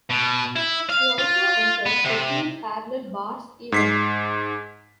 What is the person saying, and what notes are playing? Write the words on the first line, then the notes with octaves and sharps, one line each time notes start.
He also entered the team parallel bars event.
B2
E4
F5
F4
B3
C3
G#2 B6 C7